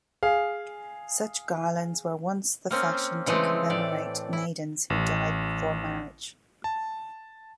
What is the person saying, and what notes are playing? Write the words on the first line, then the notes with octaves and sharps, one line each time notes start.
Such garlands were once the fashion to commemorate maidens who died before marriage.
G#4 F5
A#3 C4 C#4
C#3 E3 G#3 A3 C4
A2 D5
E4
A1
A5